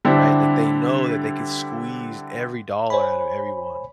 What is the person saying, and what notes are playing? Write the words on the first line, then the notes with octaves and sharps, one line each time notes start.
right? Like, they know that they can squeeze every dollar outta everyone.
D3 G3 C4 D4 E4
C5 C#5 G#5 B5